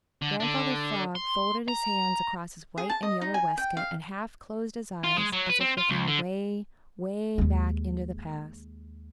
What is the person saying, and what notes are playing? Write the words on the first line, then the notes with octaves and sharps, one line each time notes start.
Grandfather Frog folded his hands across his white and yellow waistcoat and half closed his eyes, as if looking way, way back into the past.
D3
D3 D4
C6
A#5
G#4
A5
D#5
D#4
G#5
G5
F5
F4
G#3
F#3
B4
C4
F4
C#2
D3
D#2 G#3